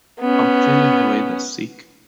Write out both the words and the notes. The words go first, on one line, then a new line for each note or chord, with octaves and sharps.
I'm feeling rather sick!
B3 C#4